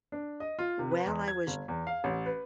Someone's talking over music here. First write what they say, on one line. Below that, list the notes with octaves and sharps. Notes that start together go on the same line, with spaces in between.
while I was
D4
D#5
F4
C3
B4
E2
G#6
G1
E2
F5
A1
B4